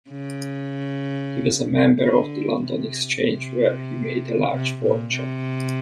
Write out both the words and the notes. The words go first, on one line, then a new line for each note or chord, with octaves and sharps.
He was a member of the London Exchange, where he made a large fortune.
C#3
D3
C3
C3
C3
A#2
C3